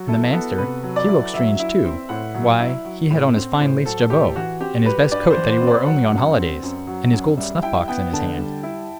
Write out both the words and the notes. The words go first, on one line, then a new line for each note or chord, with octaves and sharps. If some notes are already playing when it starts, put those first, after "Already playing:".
And the master--he looked strange, too; why, he had on his fine lace jabot and his best coat, that he wore only on holidays, and his gold snuff-box in his hand.
Already playing: F#3 F#4
E4 A4
B3 A4
C3 B4
F#3
D5
E4
F#3 E5
E4
C4
A2 F#5
F#3
E4
F#3
A2
C4
A2 C5
F#3 A4
A2 G4
E3 F#4
C4 G4
G3 B4
G2 D5
C5
E3
C5
C4
D5
F#3 F#5
F#2
C4
F#2
F#3
F#2
G3 E5
E4 G5
B3 G5
D3 A5
G3
E4